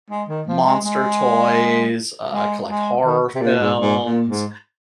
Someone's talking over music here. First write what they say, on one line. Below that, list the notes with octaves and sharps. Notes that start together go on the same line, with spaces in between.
monster toys, uh, I collect horror films,
G#3
D#3
F3
G#3
G#3
G#3
G#3
D#3
C3
A#2
G#2
G#2
A#2
G#2